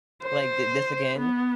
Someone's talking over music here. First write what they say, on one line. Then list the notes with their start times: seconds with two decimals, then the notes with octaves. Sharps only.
Like, "Thi this again?"
0.23 C5
1.18 B3